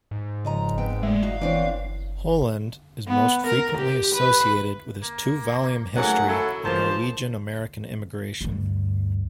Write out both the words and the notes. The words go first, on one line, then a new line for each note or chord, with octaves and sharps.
Holand is most frequently associated with his two volume history of Norwegian-American immigration.
G#2
F#2 C#3 F3 D#5 A#5
B3 C4 G5
G#3 A3 D5 E5
E3 D#4 F#4 F5
E3 B3 C4 D4 E4 C#5
B3
A#4
G4
B4
A#3
G#2 F#3 A3 A#3 C#4 F#5
F#3 E4 A4
C#3 E3 F3 A#3 F4 C5 A5
D2 G2